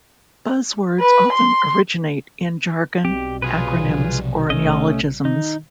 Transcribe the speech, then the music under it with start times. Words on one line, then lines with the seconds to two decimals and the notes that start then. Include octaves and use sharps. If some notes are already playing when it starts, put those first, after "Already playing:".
Buzzwords often originate in jargon, acronyms, or neologisms.
1.00 B4
1.33 C6
3.05 B1 B2 G3 C4 G4
3.42 C3 F4 G#4 B4 C#5
3.87 C#3 F3
4.50 A#1 A3 C#4 D#5
5.25 D#3 D#4